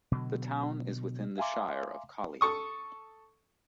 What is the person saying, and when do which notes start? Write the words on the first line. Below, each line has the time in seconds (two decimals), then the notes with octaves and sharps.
The town is within the Shire of Collie.
0.12 B2 D3 F#3
1.38 E5 F5 G#5 A#5 C6 D6
2.41 A4 C#6 D#6